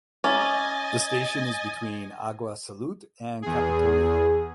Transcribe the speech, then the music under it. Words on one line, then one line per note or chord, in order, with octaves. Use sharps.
The station is between Agua Salud and Capitolio.
C#4 D#5 E5 G#5 A#5 D6 A6
E2 G#4